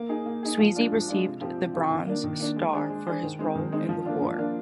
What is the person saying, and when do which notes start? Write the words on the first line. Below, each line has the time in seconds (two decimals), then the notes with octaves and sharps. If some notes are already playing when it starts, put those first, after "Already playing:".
Sweezy received the bronze star for his role in the war.
Already playing: A#3
0.09 D#4 G#4
0.26 A#3
0.43 D#4 G#4
0.59 F3
0.75 G#3 D4 F4
0.92 F3
1.08 G#3 D4 F4
1.25 C3
1.41 F3 C4 G4
1.57 C3
1.74 F3 C4 G4
1.90 D#3
2.07 A#3 D4
2.24 D#3
2.40 A#3 D4
2.56 G#3
2.73 D4 G#4 C5
2.90 G#3
3.07 D4 G#4 C5
3.23 D#3
3.39 G#3 C4 D#4
3.55 D#3
3.72 G#3 C4 D#4
3.89 F3
4.05 A#3 D4 F4
4.22 F3
4.38 A#3 D4 F4